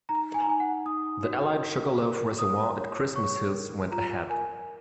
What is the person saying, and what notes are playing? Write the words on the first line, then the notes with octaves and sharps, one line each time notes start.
The allied Sugarloaf Reservoir at Christmas Hills went ahead.
D#4 A#5
G#5
A#5
D#4 G#5
F#5
D#4 D#6
F#4
A#4
A#4
A#4 D#6
C#5
C#5 C#6
A#4
F4 A#5
A#4 G#5